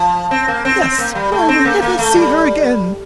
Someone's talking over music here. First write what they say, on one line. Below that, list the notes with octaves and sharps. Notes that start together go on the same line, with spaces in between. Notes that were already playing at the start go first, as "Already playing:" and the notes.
"Yes, or I will never see her again."
Already playing: F3
C4
A#3
C4
C4
A#3
G3
A3
C4
A#3
A#3
A3
G3